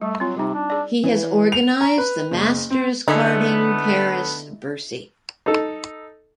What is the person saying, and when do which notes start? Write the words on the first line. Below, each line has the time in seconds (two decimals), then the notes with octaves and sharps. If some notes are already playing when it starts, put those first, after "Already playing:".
He has organised the Masters Karting Paris Bercy.
0.01 G3 A3
0.20 F#3 C4 F4
0.36 C3 G3 D#4
0.54 D4
0.70 G#4 D5
1.04 E3
1.52 F7
1.81 A#5
1.98 B4
2.31 F#1
2.70 C4
3.08 D3 A3 B3 D#4 E4 G#4
5.46 D#4 A4